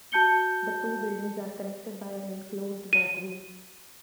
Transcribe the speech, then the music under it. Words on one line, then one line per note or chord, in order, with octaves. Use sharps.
The two buildings are connected by an enclosed walkway.
F#4 A5 G6 C#7 G7
D#7